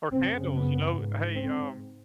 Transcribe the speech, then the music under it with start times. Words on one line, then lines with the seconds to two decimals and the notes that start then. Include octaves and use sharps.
Or candles, you know, "Uh, hey, um,
0.12 F#2 C#3 C4
0.53 B3
0.93 G#2
1.35 C4